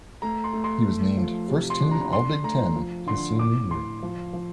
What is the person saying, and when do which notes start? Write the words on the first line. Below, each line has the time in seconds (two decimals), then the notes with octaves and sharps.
He was named "First Team All-Big Ten" his Senior year.
0.22 A3 A#5
0.44 C6
0.53 A3
0.64 C6
0.86 A3
1.17 F3
1.48 C3
1.70 C6
1.80 D4
1.91 A#5
2.12 D4 C6
2.43 A3 A#5
2.76 F3
3.06 D3 C6
3.39 A2 D6
3.71 A2 C6
4.03 F3
4.33 F3